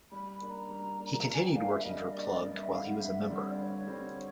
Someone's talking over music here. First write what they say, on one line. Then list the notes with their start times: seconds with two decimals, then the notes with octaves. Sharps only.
He continued working for "plugged" while he was a member.
0.12 G3 B5
0.31 B5
0.40 A#3 D4
0.50 A#5
0.69 G3
0.98 A#3 D4
1.28 G3
1.33 G#5
1.41 G5
1.56 A#3 D4 F5
1.70 E5
1.85 G3 D#5
2.13 A#3 D4 D5
2.43 G2 D#5
2.56 E5
2.71 D3 G3 C4 F5
2.86 F#5
3.00 G2 E5
3.19 D5
3.29 D3 G3 C4
3.39 C#5
3.50 D5
3.57 G2 C#5
3.87 D3 G3 C4